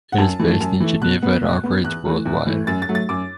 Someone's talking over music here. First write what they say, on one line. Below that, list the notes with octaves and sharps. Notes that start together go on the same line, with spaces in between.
It is based in Geneva and operates worldwide.
F#5
F#2 A5
E3 A3
F#2
E3 A3
B2 F#6
B3
B2
B3
E2 F#6
E3 A3
E2
E3 A3
F#2 A6
A6
F#3 A3
A6
F#2 D6